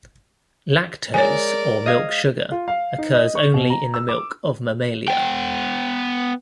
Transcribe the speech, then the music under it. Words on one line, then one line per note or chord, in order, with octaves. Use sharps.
Lactose, or milk sugar, occurs only in the milk of mammalia.
G#3 A#4 C#5 D5 G#5
D#5 F5 G#6
F4
F5
D#4
D#5
C#6
B2
A#5
E6
D6
B3 G5